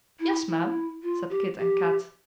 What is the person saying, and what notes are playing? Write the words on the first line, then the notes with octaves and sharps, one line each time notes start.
"Yes, Ma'am," said Kit and Kat.
E4
E4
F4
G4
G4